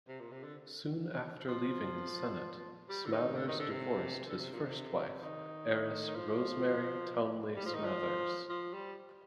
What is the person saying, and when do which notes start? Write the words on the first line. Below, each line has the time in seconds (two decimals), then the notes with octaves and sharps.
Soon after leaving the Senate, Smathers divorced his first wife, heiress Rosemary Townley Smathers.
0.08 C3
0.20 A#2
0.31 C3
0.43 D3
1.48 F3
2.89 G3
3.06 D3
3.12 D#3
3.36 D3
3.48 D#3
3.59 D3
3.71 C3
4.29 D3
4.41 C3
4.52 A#2
4.63 C3
5.22 D#3
6.07 D#3
6.15 F3
7.56 G3
7.66 F3
7.75 D#3
7.84 F3
8.49 F3
8.73 G3